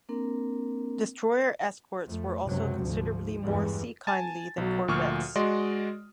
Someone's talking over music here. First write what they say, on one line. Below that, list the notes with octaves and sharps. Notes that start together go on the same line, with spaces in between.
Destroyer escorts were also considerably more sea-kindly than corvettes.
A#3 C4 D4 A#4
F2 A3
C#2 F#2 C3 F#3
D2 G#2 F3
E2 G2 E3 G3 G#3
G#5 A5 A6
B1 F#3
D2 A#2 F3 C#6 D#6 F6
G#3 F#4 D5 D#5 C6